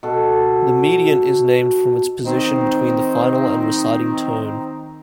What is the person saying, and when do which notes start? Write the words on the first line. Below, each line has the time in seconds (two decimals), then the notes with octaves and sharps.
The mediant is named from its position between the final and reciting tone.
0.03 B2 A4
2.25 D#3 C4 D#4